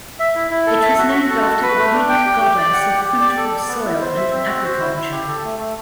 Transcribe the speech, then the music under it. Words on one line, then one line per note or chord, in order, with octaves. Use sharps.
It was named after the Greek goddess of fruitful soil and agriculture.
E5
E4
E4
A4
E5
F#4
F#4
A4
F#4
B4
A3
D4
G5
G4
G4
D5
F#5
G4
G4
D5
A4
D5
B3
E4
C5
E5
C4
F#4
C5
E4
E4
G4
A4
A3
A3